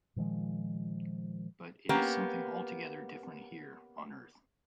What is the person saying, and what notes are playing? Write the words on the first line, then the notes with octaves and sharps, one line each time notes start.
But it is something altogether different here on earth...
A#2 D#3 F3 G#3
A#3 B3 C#4 G4